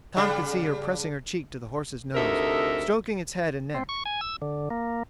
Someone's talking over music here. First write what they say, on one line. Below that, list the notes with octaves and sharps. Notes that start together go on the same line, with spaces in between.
Tom could see her pressing her cheek to the horse's nose, stroking its head and neck.
C#3 G3 D4
D2 C3 D#4 A4 A#4 E5
C4
C#6
G#5
E6
D3
A#3